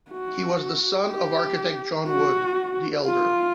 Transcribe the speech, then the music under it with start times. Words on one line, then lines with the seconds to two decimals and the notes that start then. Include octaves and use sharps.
He was the son of the architect John Wood, the Elder.
0.11 F#4
1.10 G4
2.08 F#4
3.06 F4